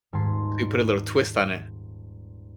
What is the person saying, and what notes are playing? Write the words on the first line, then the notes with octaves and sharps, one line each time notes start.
You put a little twist on it.
D#1 G#2 G#5 A5 C6 B6